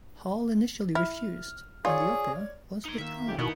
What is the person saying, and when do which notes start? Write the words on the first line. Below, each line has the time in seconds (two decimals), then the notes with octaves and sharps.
Hall initially refused, and the opera was withdrawn.
0.95 E4 F6
1.85 F4 G#4 C#5 D5
2.85 D#4 C6
2.98 D#3 A#3 E5
3.26 F2 G#2 G4
3.39 B2 D#3 B3 D#4 E4